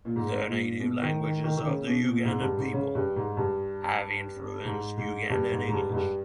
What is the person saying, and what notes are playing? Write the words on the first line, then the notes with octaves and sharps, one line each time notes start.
The native languages of the Ugandan people have influenced Ugandan English.
A#2
G#2
A#2
B2
D#3
D#3
D#3
D#3
C#3
B2
A#2
G#2
G2
G#2
C#3
G2
G#2
G2
G#2
G#2
G2
G#2
G#2
G2
G#2
G2